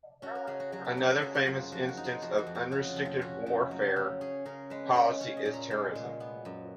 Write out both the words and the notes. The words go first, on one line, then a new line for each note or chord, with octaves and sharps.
Another famous instance of "Unrestricted Warfare" policy is terrorism.
C#4 F#4
A#4
C#3 G#4
F#4
F#3 F#4
A#4
C#3 B4
G#4
A#3 F#4
F#4
F#2 F4
F3 F#4
F#4
D#4
F4
F3 F#4
F#4
F2
F#4
C#3 F#4
F4
F2
F4
C#4 F#4
C#3
F#3
C#3
C#4 G#4
C#3 A#4
G#3 B4
C#3
C#4 C#5
D#5
A#2
A#5
G#3
A#2
B3
F#2